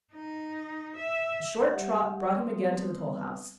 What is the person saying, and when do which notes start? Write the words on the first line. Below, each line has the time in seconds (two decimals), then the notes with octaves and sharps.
A short trot brought him again to the toll-house.
0.13 D#4
0.96 E5
1.70 G3 G4 E5 F#5
2.35 G3 B3 C4 D4 B4 D#6